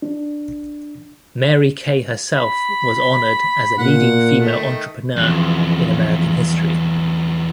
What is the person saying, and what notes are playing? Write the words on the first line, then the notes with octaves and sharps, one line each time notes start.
Mary Kay herself was honored as a leading female entrepreneur in American history.
D4
B5
A#2 F#5
D#3 A3
E2 F3